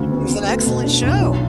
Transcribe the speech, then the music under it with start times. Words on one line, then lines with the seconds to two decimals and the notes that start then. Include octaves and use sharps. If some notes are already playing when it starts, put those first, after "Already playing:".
He's an excellent show.
Already playing: D2 C#3
0.11 B3
0.29 B3
0.47 A3
0.66 B2
0.84 D4
1.03 B1
1.21 F#3